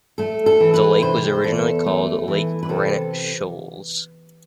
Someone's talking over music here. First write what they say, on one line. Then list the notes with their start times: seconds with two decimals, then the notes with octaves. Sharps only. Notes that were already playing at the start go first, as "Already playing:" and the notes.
The lake was originally called Lake Granite Shoals.
0.18 A3 A4
0.46 A4
0.60 E3
0.74 B4
1.02 C3 C5
1.44 E2 A4
1.86 A3
2.28 E3
2.63 B4
2.69 C3 A4